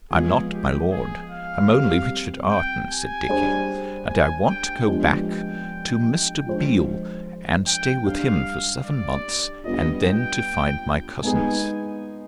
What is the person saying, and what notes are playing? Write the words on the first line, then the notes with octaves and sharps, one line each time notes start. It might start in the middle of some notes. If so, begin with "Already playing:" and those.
"I'm not 'my lord'; I'm only Richard Arden," said Dickie, "and I want to go back to Mr. Beale and stay with him for seven months, and then to find my cousins."
F3 G#3 B3 F4 G#4
G4
G#4
F5
G3 C4 G4
G5
G#5
G3 D4 G#4 C5
G#5
G5
F3 G#3 B3 D4 G4
G5
F3 G#3 D4 G#4 C5
G5
G3 D4 G4 F5
D5
G3 B3 D4 F4 D#5
G5
G#3 B3 D#4 G#4 G#5